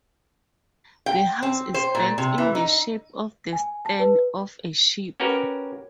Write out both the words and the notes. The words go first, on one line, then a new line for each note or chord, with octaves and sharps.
The house is built in the shape of the stern of a ship.
G5
C4
C5
A#2
C3
E3
D#4
G#5
A5
B4
C#4 F#4 G4 A#4 B4